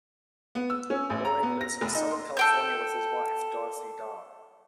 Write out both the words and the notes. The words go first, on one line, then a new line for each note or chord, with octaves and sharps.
Lloyd lives in Southern California with his wife, Dorothy Darr.
B3
E6
C#4
A1
A#5
B3
A#6
F1
D#4
C6
A4 G5 G6